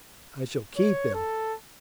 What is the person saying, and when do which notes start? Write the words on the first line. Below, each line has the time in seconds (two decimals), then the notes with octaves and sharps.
I shall keep them.
0.77 C#5
1.14 A4